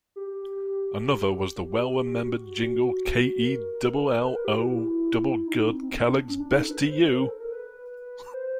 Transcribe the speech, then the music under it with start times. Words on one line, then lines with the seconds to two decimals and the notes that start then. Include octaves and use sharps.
Another was the well-remembered jingle K E double-L, O double-good, Kellogg's best to you!
0.16 G4
0.97 G4
1.79 G4
2.20 F#4
3.43 A#4
4.25 B4
4.35 A#4
4.45 G4
4.55 F#4
4.66 E4
5.47 D#4
5.68 C4
5.83 C4
5.89 B3
6.09 D4
6.29 C#4
6.40 D4
6.50 D#4
6.61 A4
6.71 B4
6.91 C5
7.11 A#4
7.29 A4
7.40 A#4
7.52 B4
8.34 C5